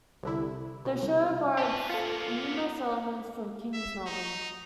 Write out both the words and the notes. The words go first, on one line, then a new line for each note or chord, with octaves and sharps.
The show borrowed numerous elements from King's novel.
C2 D3 E4
B2
C2
G4 B4 A5
A#3 B3 F4 A4
E5
D#4